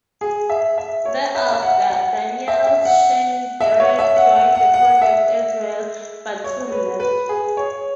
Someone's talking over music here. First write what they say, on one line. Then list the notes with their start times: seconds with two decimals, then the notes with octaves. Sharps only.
Thereafter Daniel Schneidereit joined the project as well, but soon left.
0.21 G#4
0.50 E5
0.78 E5
1.05 C#5
1.35 E5
1.53 E5
1.63 F#5
1.90 F#5
2.48 E5
2.67 E5
2.85 F#5
3.61 E5
3.80 C#5
3.99 E5
4.17 F#5
4.36 F#5
4.55 F#5
4.74 F#5
5.02 E5
6.44 C#5
6.72 B4
7.00 B4
7.29 G#4
7.57 C#5